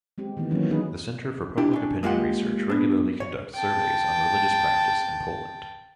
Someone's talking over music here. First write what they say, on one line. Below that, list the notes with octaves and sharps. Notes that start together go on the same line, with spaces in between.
The Centre for Public Opinion Research regularly conducts surveys on religious practice in Poland.
G#3 C4 G4
D#3 E3 A3 B3
E3 F#3 A#3 C#4
E3 F#3 B3 D#4 G#4 B4
D4 E4 G4
C#4 D4
G#3 A#3 F4 G4 F#5
B3 D4
C#5
G5 A5